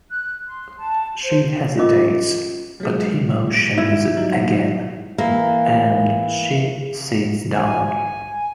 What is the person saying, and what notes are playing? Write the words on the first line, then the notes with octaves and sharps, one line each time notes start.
She hesitates, but he motions again, and she sits down.
F#6
C6
A5
C5
C#4 F4 A#4 D#5 D6
F#3 G#3
D#3 E4
F#3 D#4
E3 A#3
G#5